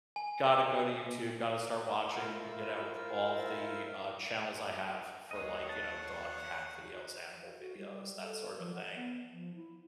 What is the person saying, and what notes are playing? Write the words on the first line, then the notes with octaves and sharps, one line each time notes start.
gotta go to YouTube, gotta start watching, you know, all the, uh, channels I have for, like, you know, dog, cat videos, animal videos, that sort of a thing,
G#5
E4 F4 A#4 C5 E5 E6
D#2 C#5 D#5 F5 F#5
A5
F#4
G3
A4
F3
F#5
B3
F3
E4